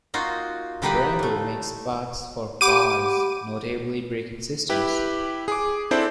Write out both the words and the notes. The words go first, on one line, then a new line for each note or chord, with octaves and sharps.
Brembo makes parts for cars, notably braking systems.
A#3 D#4 F4 F#4
D3 G3 A#3 D#4 G4 B4
A2 A3
G4 F#5 B5 D6 D#7
E4 G4 B4
G#4 D6
C4 D4 E4 A4 C5 D5